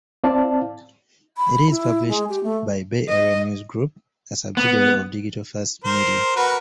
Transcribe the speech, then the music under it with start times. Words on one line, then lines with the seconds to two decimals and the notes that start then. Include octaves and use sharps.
It is published by Bay Area News Group, a subsidiary of Digital First Media.
0.24 C4 E4 D5 F5 A5
1.37 B5
1.70 E4
2.08 G#3
2.29 G4
2.44 A3
3.09 D#5
4.57 B3
5.84 A#4 C5
6.36 F#4 A#4 B4